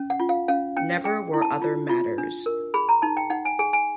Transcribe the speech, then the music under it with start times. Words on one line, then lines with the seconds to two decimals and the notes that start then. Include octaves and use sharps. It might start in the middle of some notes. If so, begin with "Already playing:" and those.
Never were other matters.
Already playing: C#4
0.10 F#5
0.20 F4
0.29 F5
0.48 C#4 F5
0.77 C#4 G5
1.04 G#4 G5
1.34 E4
1.42 A5
1.62 F4
1.89 F4
2.18 D4
2.46 A#4
2.74 G#4 B5
2.89 A#5
3.02 D#4 A5
3.17 G5
3.30 D#4 F#5
3.45 G#5
3.59 G#4 G#5
3.73 G#5